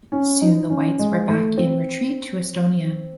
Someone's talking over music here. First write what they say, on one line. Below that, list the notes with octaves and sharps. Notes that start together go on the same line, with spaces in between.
Soon the Whites were back in retreat to Estonia.
C#4
D#4
C#4
G#3
A3
C4